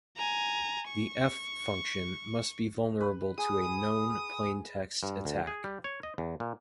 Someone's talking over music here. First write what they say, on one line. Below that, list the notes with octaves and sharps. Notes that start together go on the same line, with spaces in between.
The "F" function must be vulnerable to a known-plaintext attack.
G#5 A#5
C#6
B4
G#4 D#6
G2
D2
G#4
G3
C#5
D#5
E2
A#2